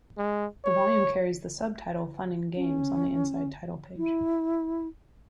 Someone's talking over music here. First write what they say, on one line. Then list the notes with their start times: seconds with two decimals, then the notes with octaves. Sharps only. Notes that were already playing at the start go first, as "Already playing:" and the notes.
The volume carries the subtitle "Fun and Games" on the inside title page.
0.18 G#3
0.65 C#5
2.56 C#4
3.97 E4